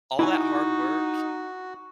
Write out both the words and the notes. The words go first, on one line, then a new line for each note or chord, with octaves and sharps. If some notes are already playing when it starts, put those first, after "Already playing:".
all that hard work,
D#4 E4 F#4 G#5